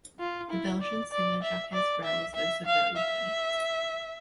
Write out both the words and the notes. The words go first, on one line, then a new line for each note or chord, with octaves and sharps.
The Belgian singer Jacques Brel is also buried there.
F4
E4
D5
D5
E5
D5
E5
E5
F5
E5